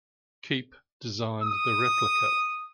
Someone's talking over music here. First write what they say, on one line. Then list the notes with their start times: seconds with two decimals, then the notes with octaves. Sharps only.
Keep designed the replica.
1.42 D#6